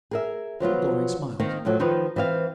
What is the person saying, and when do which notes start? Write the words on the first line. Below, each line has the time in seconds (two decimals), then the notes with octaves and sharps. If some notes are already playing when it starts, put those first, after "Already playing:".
Lord Loring smiled.
0.11 G#4 A#4 E5
0.60 F3 F#3 B3 F4
1.40 D#3 A#3 C4 D#4
1.65 A2 F3 F#3 A4
1.80 D#3 F3 D#4 B4 D#5
2.16 E3 C4 E5 F5